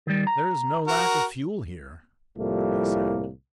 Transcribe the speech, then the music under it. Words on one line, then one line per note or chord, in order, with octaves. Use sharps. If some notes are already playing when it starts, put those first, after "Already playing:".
"There is no lack of fuel here," they said.
D#3 G3
A#5
F#4 A#4
C2 A2 F3 G3 A3 A#3